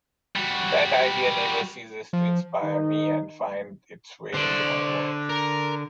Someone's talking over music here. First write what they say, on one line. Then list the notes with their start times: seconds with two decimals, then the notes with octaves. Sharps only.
That idea never ceases to inspire me and find it's way into my work.
0.36 G3 F#4
2.13 F3
2.62 D#3 D#4
4.34 D3 C5 D5
5.29 A#4